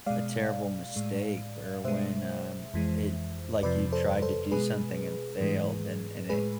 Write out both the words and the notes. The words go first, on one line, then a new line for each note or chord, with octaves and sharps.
a terrible mistake or when, um, it like, you tried to do something and failed, and and it
B2 G#3 D5 F5
A2 G#3
B2 G#3 C5 E5
F2 E3 G#3
F2 C3 F3 B4 D5
A4 C5
A4 C5
B2 G#3 G#4 B4
G#2 E3 G#3
A2 G#3 G#4 B4